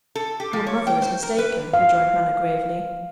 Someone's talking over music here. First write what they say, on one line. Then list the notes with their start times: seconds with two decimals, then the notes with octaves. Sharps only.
"Your mother is mistaken," rejoined Mallow gravely.
0.15 A4
0.40 G4
0.53 F3
0.67 C#5
0.87 G5
1.02 C5
1.23 A#4
1.39 B4
1.74 F5